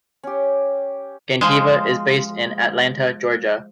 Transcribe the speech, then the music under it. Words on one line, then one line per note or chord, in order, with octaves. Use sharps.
Gentiva is based in Atlanta, Georgia.
C#4 G4
F3 G#3